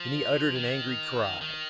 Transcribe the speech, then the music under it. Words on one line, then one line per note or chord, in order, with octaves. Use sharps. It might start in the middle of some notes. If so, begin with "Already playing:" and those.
Then he uttered an angry cry.
Already playing: F3
D#3
D#3